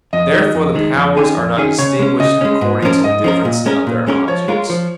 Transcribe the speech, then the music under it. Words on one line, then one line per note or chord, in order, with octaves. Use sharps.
Therefore the powers are not distinguished according to the difference of their objects.
F2 D#5
D#3 G#3
F2
D#3 G#3
F2
D#3 C#4 G#4
F2
D#3 C#4 G#4
C#3 C#5
G#3 C#4
C#3 D#5
G#3 C#4
G#2
F3 C#4 A#4
G#2 D#5
F3 C#4 A#4
A#2
G#3 C#4 A#4
A#2
G#3 C#4 A#4
F3 C#5
G#3 F4 A#4
F3